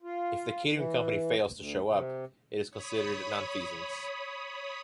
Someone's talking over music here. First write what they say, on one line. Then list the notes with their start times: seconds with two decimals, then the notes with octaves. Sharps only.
If the catering company fails to show up, it is considered nonfeasance.
0.02 F4
0.74 E3
1.53 D2
1.88 C3
2.70 C#5 B5 D#6